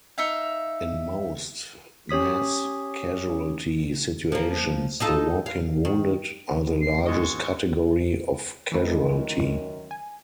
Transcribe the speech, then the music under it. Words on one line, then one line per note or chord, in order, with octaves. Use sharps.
In most mass casualty situations, the walking wounded are the largest category of casualty.
D#4 E5 F5
C#4 G4 C#5 D#6 B6
F3 A#3
D#4 F4 A4
F5
D#3
C7
D#2 G#2 D#5 C#6
F#2 D#3 E3 A3 B4
G#5